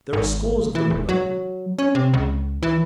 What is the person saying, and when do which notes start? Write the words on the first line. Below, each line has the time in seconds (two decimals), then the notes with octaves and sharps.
There are scores of them in London.
0.13 G#1
0.75 E3
0.90 E1
1.09 F#3
1.79 C#4
1.95 C3
2.13 C#2
2.63 E3